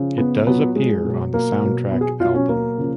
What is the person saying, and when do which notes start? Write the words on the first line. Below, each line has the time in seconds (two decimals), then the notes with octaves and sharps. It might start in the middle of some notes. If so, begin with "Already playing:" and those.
It does appear on the soundtrack album.
Already playing: C#3 F3
0.18 B3
0.47 A#2 F#3 B3
0.76 G#3
1.05 B2 F#3
1.34 A#3
1.62 B2 F#3
1.91 B3
2.01 G#4
2.20 B2 F#3 F4
2.35 C#4
2.49 A#3
2.78 C#3 F3